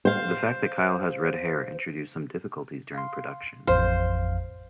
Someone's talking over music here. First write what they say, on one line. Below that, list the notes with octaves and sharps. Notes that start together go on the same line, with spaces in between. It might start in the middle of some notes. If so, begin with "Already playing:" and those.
The fact that Kyle has red hair introduced some difficulties during production.
C5 F5
F5 C6
A1 F2 C5 F5